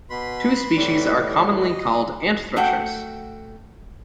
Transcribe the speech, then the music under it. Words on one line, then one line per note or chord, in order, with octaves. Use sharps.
Two species are commonly called "ant-thrushes".
B2 B4 B5 C6
A2 E3 G3
D#5
A3 F#4 F#5 G5